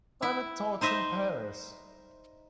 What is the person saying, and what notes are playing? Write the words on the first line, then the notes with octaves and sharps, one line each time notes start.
Climate Talks in Paris.
E4
D#4 C5 D#5 E5